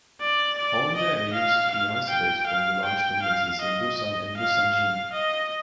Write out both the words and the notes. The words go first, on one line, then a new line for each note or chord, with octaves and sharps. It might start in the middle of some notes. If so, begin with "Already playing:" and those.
Haeundae used to be isolated from the large communities in Busan and Busanjin.
D5
D5
D#5
F5
F5
G5
F5
G5
F5
D#5
D#5
F5
F5
D#5